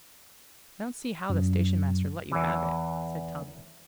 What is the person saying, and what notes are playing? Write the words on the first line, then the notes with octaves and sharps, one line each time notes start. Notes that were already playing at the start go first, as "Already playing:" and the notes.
"I don't see how the station-master let you have it," said Tommy.
F#2 F#3
E2 E3